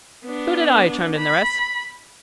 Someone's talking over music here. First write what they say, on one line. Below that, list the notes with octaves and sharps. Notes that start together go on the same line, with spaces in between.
"So did I," chimed in the rest.
B3 D4
B5